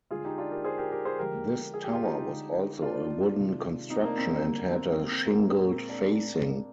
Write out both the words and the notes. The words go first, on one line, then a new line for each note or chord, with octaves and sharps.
This tower was also a wooden construction and had a shingled facing.
D3 G#3 F4 G#4
D#4 G4
D4 F4
G4 A#4
G#4 C5
G4 A#4
G4 A#4
G#4 C5
D3 F3 G#3 G4 A#4
G#4
G4
F4
D#4 G4
D3 G#3
D4 F4
C3 D#3 G#3
C4 D#4
A#3 D4
C4
A#3
D3 G3 A#3
C4
A#3
C4
A#3
A#3
A#2 G#3 A#3
C4
A#3 D4